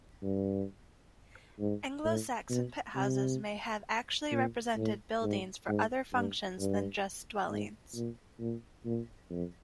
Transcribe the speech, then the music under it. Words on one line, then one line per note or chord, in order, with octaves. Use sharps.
Anglo-Saxon pit-houses may have actually represented buildings for other functions than just dwellings.
G2
G#2
A2
B2
C3
A#2
A2
G#2
G#2
G2
G2
G#2
A#2
A#2
A#2
F2